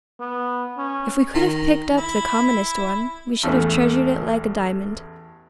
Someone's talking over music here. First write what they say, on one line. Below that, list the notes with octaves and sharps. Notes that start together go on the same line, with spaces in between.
If we could have picked up the commonest one, we should have treasured it like a diamond.
B3
C#4
D#3
E4
A1 E2 A3